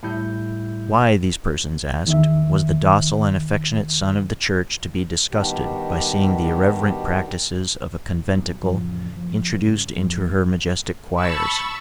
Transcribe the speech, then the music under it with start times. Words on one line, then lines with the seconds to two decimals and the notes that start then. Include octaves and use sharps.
Why, these persons asked, was the docile and affectionate son of the Church to be disgusted by seeing the irreverent practices of a conventicle introduced into her majestic choirs?
0.03 A2 G3 E4 E5 G6
2.06 E2 D#3 E5
5.31 B2 D#3 G3 D4 F#4 G4
8.25 D#1 B1
8.63 A1 F2 C#3 F3
9.13 F#1 F3
9.53 G2 C#3
9.94 E1 F2
11.15 A5 B5 C#6 E6